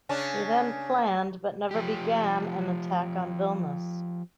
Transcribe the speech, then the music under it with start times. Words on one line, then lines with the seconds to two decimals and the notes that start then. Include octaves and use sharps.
He then planned but never began an attack on Vilnius.
0.09 C#3 C#4 D4
1.71 F3 G4